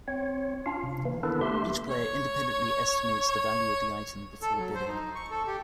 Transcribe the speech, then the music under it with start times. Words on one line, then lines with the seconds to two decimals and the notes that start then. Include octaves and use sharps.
Each player independently estimates the value of the item before bidding.
0.08 C4 C#5
0.66 C#4 D4 F4 F5
0.83 C3
1.05 E3 A#3
1.23 D#3 B3 D4 E4 A4 B4
1.41 A3 A#3 G4 E5 C6
1.90 C#5
3.27 C#5
4.42 A4
4.59 F#3
4.75 C5
4.88 D#4
5.15 C#6
5.30 A4
5.47 G4